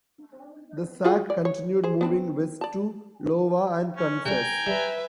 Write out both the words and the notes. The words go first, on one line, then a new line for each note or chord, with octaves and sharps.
The Sac continued moving west to Iowa and Kansas.
F4 F#4 G#4
D5
C#5
G#4 C5
B3 C4 D4
D5 A5
C#4
C3 G3 G5 G#5 A#5
G3 B4 E5